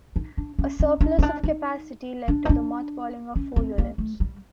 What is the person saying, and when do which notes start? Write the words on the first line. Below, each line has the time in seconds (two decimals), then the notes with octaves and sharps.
A surplus of capacity led to the mothballing of four units.
0.16 D#4
0.37 D4
0.59 C#4
0.80 C#4
1.01 D4
1.19 C#4
1.22 D4
1.43 D#4
2.28 D4
2.45 D#4
2.49 D4
3.36 C#4
3.56 C4
3.78 A#3
3.98 A3
4.20 G3